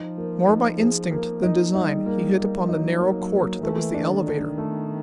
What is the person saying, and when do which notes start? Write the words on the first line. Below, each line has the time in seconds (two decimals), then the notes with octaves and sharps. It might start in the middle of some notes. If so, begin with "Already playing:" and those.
More by instinct than design he hit upon the narrow court that was the elevator.
Already playing: F3 D#4
0.18 A#3
0.48 D#4
0.80 G#4
1.11 A#3
1.43 D#4
1.74 G3 D#4
2.06 A#3
2.37 A#3
2.68 F#3 D#4
3.00 A#3
3.32 A#3
3.63 E3 A3
3.94 D4
4.10 D#3
4.26 D4
4.58 A3